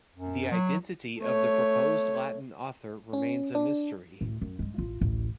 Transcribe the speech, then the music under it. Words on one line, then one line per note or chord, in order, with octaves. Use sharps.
The identity of the proposed Latin author remains a mystery.
F#2
F#3
A3 C#5
C#4
D4
D2 A2
F#2
G2 G#3
A1 F4
A1 D2